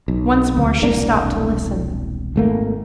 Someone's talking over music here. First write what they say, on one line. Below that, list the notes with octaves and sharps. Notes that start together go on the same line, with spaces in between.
Once more she stopped to listen.
B1
D2
E1 C2 A#3 D4
G#1 A3 A#3